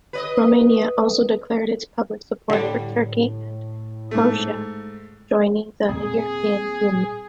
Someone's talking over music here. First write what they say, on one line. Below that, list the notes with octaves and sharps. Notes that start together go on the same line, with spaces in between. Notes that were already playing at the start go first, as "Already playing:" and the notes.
Romania also declared its public support for Turkey and Croatia joining the European Union.
B4 D5 D#5
A2 D3 G3
G#2 A3
A#2 G3 C4 G#4